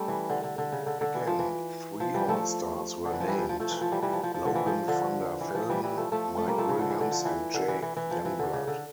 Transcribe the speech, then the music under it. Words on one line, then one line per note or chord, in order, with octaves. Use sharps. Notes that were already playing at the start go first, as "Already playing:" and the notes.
Again, three all-stars were named, Logan Vander Velden, Mike Williams, and Jay Youngblood.
Already playing: G3 A3 C#4
E3
D3
D3
D3
C#3
D3
D3
E3
F3
E3
F3
E3 G3
F3 A3
D3
E3
F3
E3 G3
F3
F3
F3 A3
E3
F3
E3 G3
E3 G3
F3
F3
F3
D3
E3
F3
D3
E3
F3
E3 G3
E3 G3
F3 A3
F3 A3
A3 C#4
G3 A#3
F3 A3
C#3
D3
E3
D3
F3
E3
D3
E3
E3
E3
F3
E3
D3
C#3
D3